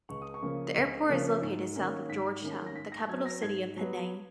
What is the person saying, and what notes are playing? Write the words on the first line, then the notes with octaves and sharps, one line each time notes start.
The airport is located south of George Town, the capital city of Penang.
C#2 C#6
D#6
C#6
C#3 F3 A#3 C#4
C#2 B6
C#3 F3 A#3 C#4
G#2
D#3 A#3 C#4
G#2 B6
D#3 A#3 C#4
A#6
G#2 B6
A#6
F#3 B3 G#6
A#6
G#2 G#6
F#3 B3